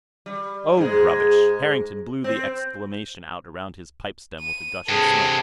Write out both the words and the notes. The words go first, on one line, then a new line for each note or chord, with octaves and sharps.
"Oh, rubbish!" Harrington blew the exclamation out around his pipe-stem with a gush of smoke.
G3
G#2 G#3
C4
D#7
G2 C3 G#4 A4